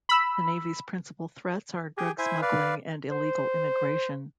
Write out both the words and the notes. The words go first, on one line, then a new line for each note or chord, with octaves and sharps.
The navy's principal threats are drug smuggling and illegal immigration.
B5 E6
G4 G#4 G#5
E4 C5 E5 G#5
B4 D5 F5
C5